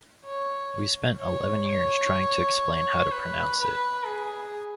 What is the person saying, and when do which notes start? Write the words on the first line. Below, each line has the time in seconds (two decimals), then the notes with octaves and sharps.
We spent eleven years trying to explain how to pronounce it.
0.25 C#5
1.20 C#5
1.68 C#5
3.12 B4
3.60 B4
4.06 G#4